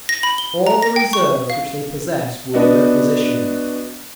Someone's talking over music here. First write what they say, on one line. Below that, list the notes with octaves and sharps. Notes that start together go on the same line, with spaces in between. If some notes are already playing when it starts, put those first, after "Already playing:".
All the reserves which they possess will be requisitioned.
A#6
B5
G7
A#5
A#6
G5
C#6
F5
B3 D4 F#4 B4 D#5